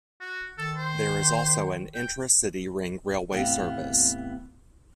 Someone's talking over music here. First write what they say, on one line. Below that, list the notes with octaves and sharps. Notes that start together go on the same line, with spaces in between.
There is also an intra-city ring railway service.
F#4
D#3 A4
C5
G5
E2 A2 C3 B3 F5